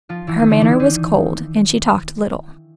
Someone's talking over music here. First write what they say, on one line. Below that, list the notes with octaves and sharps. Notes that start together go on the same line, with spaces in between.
Her manner was cold, and she talked little.
F3 F4
E3 E4
D#3 D#4
D3 D4
E3 E4
D#3 D#4